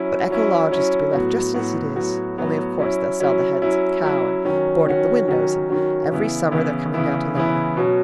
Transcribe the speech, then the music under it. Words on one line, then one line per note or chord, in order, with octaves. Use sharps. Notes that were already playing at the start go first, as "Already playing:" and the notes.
But Echo Lodge is to be left just as it is. . . only of course they'll sell the hens and cow, and board up the windows . . . and every summer they're coming down to live in it.
Already playing: F#3 C#4 E4
F#3 C#4 E4
F#3 C#4 E4
A2 F#3 B3 F#4
A2 F#3 B3 F#4
A2 F#3 B3 F#4
A2 F#3 B3 F#4
F#3 C#4 E4
F#3 C#4 E4
F#3 C#4 E4
F#3 C#4 E4
D#3 F#3 C#4 F#4
D#3 F#3 C#4 F#4
D#3 F#3 C#4 F#4
D#3 F#3 C#4 F#4
C#3 E3 B3 E4
C#3 E3 B3 E4
C#3 E3 B3 E4
C#3 E3 B3 E4
B2 F#3 C#4 F#4